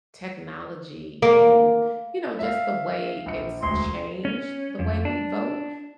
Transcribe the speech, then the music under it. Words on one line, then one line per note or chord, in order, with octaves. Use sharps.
technology and, you know, just the way it's changed the way we vote?
A#3
E5 F5
A#1 C#7
E1 D2 C6
C#4
F2
D4